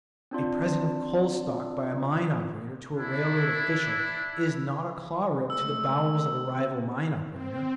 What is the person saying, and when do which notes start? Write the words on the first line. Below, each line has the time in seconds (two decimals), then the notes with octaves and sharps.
A present of coal stock by a mine operator to a railroad official is not a claw rip to the bowels of a rival mine operator.
0.31 C4 D4 F4 D5
2.95 D4 E4
5.50 C#3 G#3 A3 E6
7.29 C4